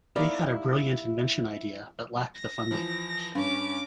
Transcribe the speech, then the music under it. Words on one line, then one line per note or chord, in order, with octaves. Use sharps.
They had a brilliant invention idea but lacked the funding.
A#3 D#4 E4 G4 A#4 D5
A#6
E2 F3
G2 C#4 D6